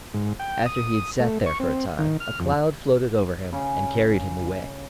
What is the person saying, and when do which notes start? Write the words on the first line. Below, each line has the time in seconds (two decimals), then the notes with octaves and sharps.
After he had sat there for a time, a cloud floated over him, and carried him away.
0.14 G#2
0.39 G5
0.66 D#6
1.20 A3
1.46 C#6
1.60 C4
1.99 D#3
2.20 F6
2.40 F2
3.53 C#3